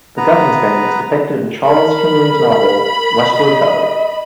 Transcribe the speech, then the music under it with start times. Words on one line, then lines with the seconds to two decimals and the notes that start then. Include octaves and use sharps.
The Gubbins band is depicted in Charles Kingsley's novel "Westward Ho!".
0.17 B3 B4 A#5
1.65 A#4 B5
3.34 D#5